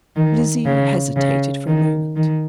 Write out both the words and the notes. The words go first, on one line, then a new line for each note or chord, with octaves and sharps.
Lizzie hesitated for a moment.
D#3
C#3
C#3
D#3
D#3